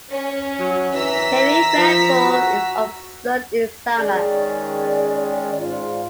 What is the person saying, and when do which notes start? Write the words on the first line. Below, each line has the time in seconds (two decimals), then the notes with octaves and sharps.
Heavy rainfall is observed in summer.
0.11 C#4
0.59 F#3
0.94 E3 A#5 E6 B6
1.77 F3
2.24 F#4
3.98 D#3 G#3 C#4 G#4 D5
5.59 G#2 F4